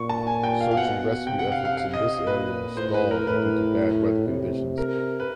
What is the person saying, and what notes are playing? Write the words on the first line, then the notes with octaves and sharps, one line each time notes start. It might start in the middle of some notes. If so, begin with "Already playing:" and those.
Search and rescue efforts in this area were stalled due to bad weather conditions.
Already playing: A#2 C#6
A5
G#5
G5
F5
F5
B2 F#5
C3 G5
F#5
F5
F5
F5
D#5
A#2 B4
A2 C5
B4
A#4
A2 B4
C3
A#4
B4